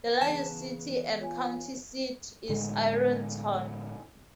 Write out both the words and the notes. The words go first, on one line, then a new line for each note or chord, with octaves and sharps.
The largest city and county seat is Ironton.
C#3 E3 B3 A5
F4 C#5 G#5
A2 D3 G#3